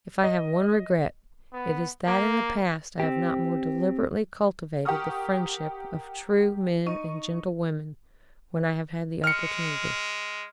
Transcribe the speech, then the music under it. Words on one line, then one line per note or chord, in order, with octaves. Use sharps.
If I have one regret it is that in the past I have not more deliberately cultivated the friendship of true men and gentle women when I have had the opportunity.
D#5
B3
A#3
C4 G4
G4 A#4 F#5 C#6 D#6 F6
D#4 C#6 D#7
G#3 F6 C#7